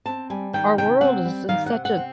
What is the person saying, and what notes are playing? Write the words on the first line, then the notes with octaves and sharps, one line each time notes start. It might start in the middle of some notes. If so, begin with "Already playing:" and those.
our world is in such a i
C4 A5
G3 G#5
D#3 G5
C3 G5
C4 F#5
G3
D#3 F5
F#5
C3
F#5
C4